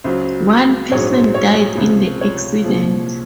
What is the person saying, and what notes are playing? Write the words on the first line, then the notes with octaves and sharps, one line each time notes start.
One person died in the accident.
C#2 C#3 F#3 C5
A#1 G#2 F#3 C#5
C5
C#5
C#2 C3 F3
C#5
C2 A#2 F3